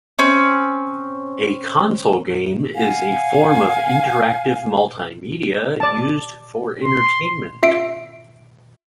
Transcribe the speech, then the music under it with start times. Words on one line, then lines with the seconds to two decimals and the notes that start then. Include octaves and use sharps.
A console game is a form of interactive multimedia used for entertainment.
0.19 C4 C#4
2.75 F5 F#5 G#5
5.80 D5 A5
6.84 C6
7.63 F4 E5 C7 D7